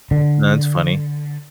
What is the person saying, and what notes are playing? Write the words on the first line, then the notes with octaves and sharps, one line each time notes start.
That's funny.
D3